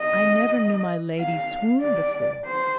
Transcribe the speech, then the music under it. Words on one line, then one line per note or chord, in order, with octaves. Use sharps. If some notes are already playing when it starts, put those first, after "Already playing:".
I never knew my Lady swoon before.
Already playing: D#5
F5
D5
C5